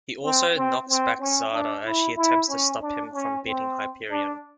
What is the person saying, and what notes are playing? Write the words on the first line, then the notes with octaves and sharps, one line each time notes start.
He also knocks back Zarda as she attempts to stop him from beating Hyperion.
C4
C4
C4
C#4
D4
E4
E4
C#4
D4
C#4
C4
D4